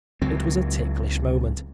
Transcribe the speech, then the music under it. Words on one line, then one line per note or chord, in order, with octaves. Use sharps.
It was a ticklish moment.
C#2 F#3 C4